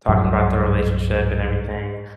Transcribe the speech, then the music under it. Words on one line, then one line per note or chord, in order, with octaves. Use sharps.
talking about their relationship and everything,
C2 G2 F#3